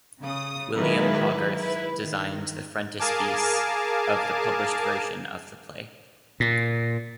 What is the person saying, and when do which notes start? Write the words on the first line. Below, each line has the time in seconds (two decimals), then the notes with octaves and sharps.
William Hogarth designed the frontispiece of the published version of the play.
0.21 C#3 D#6
0.75 D#3 F#3 G#3 A#3 E4 B4
1.55 E4 B4
1.98 D#3
2.99 G#4 A#4 F5 G#5 A5 D6
6.40 A#2